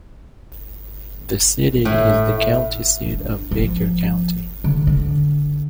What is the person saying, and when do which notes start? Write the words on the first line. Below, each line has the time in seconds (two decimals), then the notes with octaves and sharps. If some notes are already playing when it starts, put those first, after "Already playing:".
The city is the county seat of Baker County.
1.85 A2
3.06 D4
3.51 F3
4.64 D3
4.87 D3